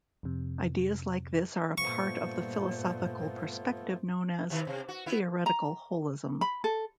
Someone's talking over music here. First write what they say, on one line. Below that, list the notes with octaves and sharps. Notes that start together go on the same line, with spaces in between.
Ideas like this are a part of the philosophical perspective known as "theoretical holism".
F2 C3
G2 A#2 A3 B3 F4 C5 C#6
C3 D#3
C3
F#4
B3 E4
A#5
B5
A4